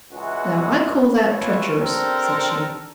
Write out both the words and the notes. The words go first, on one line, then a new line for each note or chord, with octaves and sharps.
'Now, I call that treacherous,' said she.
C#2 E3 G#3 F#4
E3 B3 F4 C#5
C4 D4 G4 A4 A#4